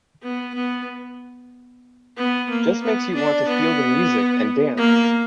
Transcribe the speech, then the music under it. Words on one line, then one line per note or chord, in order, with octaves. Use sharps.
Just makes you want to feel the music and dance.
B3
B3
B3
A#3
B3
D4
B3
A#3